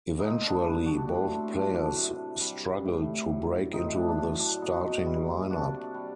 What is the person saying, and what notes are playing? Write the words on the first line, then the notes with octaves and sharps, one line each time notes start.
Eventually, both players struggled to break into the starting lineup.
A#2 C4 D#4
D4
G3 D4
D4 F#4
A2 D4
C4
F#3 D4
D4
C3
G3
A2
F#3
A2 C4 D#4
D4
D4
F#3 C4
D4
A#2 D#4
F#4
C4 D#4
G3
C3 D4 F#4
G3